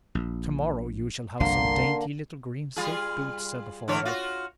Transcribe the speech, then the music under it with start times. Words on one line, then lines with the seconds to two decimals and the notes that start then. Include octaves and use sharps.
"To-morrow you shall have some dainty little green silk boots!" said the father.
0.15 A#1
1.40 G1 C2 D3 F3 A#3 C6
2.76 G3 F4 G#4
3.88 D3 E3 C#5
4.05 F4 F#4